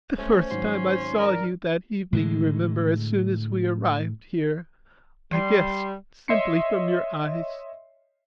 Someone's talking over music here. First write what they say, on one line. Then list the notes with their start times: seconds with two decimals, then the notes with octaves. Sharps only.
The first time I saw you, that evening, you remember, as soon as we arrived here, I guessed simply from your eyes.
0.18 A3 C#4 C5
0.50 G#1 F#3 C6
1.19 A#4 D5
2.13 A2 D3 G#3
5.32 G3 C6
6.28 C#5 D#5 E5 C6 C7 C#7